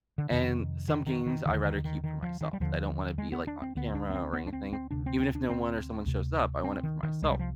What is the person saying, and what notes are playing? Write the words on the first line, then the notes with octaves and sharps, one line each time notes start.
and some games I rather keep for myself. I don't wanna be, like, on camera or anything. Even if no one or someone shows up, I want it for myself,
D3
F2 C3 D#3
D#3
D#3
D#3
D#2 D3 D#3
D#3
D#3
D#3
F3
D#3
G3
D#2 D3 F3
G#3
B3
D4
C4
D2 D3 B3
D4
B3
C4
B3
D4
C4
C4
D2 C3 D4
C4
C4
D4
C4
D2 C3
C4
D#3
D#3
C2 C3 G#3
G3
F3